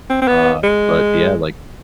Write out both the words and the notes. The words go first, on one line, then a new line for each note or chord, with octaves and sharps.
Uh, but yeah, like
C4
C4
B3
G#3